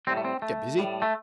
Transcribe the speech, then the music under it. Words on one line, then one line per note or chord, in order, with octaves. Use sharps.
"Get busy."
A2 G3 C4
A3
C4
A3
A2 G3
A3